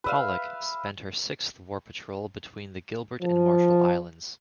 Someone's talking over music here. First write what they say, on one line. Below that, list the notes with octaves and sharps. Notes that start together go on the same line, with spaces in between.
"Pollack" spent her sixth war patrol between the Gilbert and Marshall Islands.
B4 E5 F5
F3